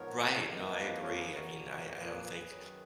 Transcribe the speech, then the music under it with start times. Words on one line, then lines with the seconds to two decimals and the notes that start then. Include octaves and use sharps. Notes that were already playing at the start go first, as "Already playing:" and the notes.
Right, no, I agree, I mean, I I don't think,
Already playing: G#2 F3 B3 A#4 C#5
0.49 F5
0.53 F2 F3 A#3 B4 D#5
1.02 A#4 C#5
1.18 G#4 B4
1.34 F#4 A#4
1.51 A#2 F3 A#3
1.99 G#4 B4
2.48 F#2 D#3 F#3